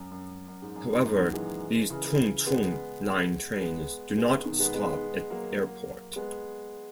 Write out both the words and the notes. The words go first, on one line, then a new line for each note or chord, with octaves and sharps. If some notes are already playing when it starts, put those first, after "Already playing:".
However, these Tung Chung Line trains do not stop at Airport.
Already playing: F#2
F#2
F#2
G#2
F#2
G#2
F#2 A#2
D#3 F#3
E3 G#3
C#3 E3
G#3 B3
G#3 B3
G#3 B3
B2 D#3
G#3 B3
G#3 B3
F#3 A#3
G#3 B3